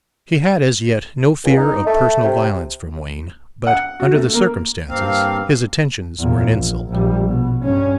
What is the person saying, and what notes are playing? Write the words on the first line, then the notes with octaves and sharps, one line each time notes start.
She had as yet no fear of personal violence from Wain; but, under the circumstances, his attentions were an insult.
C#2
D#4
A3
C3
F#5
F#4
A3
A#3
G2 A#3 C4 F5
E2 A#2
A#1
A#1 G3
B2
G2 C#4